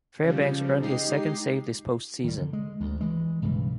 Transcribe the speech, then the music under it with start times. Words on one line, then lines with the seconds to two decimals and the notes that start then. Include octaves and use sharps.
Fairbanks earned his second save this postseason.
0.23 C#3 F3 G3
0.81 G#3 D#4 G4 C7
2.24 D#3 G3
2.38 D3
2.53 G#3
2.81 D2
3.01 E3 G#3
3.42 B1 G2 C#3 E3